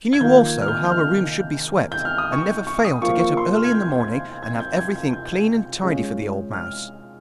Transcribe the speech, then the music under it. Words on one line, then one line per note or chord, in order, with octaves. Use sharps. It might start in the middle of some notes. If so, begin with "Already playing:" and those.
She knew also how a room should be swept, and never failed to get up early in the morning and have everything clean and tidy for the old mouse.
G#6
D#3 A#3 F4 G6
F6
G6
G6
F6
G6
F6
D#6
C#6
C#6
D#6
F3 A#3 F4 C#6
C#6
C6
F6
G#6
G6
G#6
G6
G#6
G6
G#6
G#6
G6
C#3 G#3 C#4 F4
F6